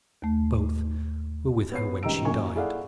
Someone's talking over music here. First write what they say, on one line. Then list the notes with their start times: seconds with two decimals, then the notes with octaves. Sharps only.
Both were with her when she died.
0.22 D#2 A3
1.72 B3 C#5 C7
2.03 C#2 D#3 G3 A#5 E6 D7
2.25 F#2 D#3 A#3 A#4 G#5 C#6
2.55 E4 G#4 A4 D5 F5 F#5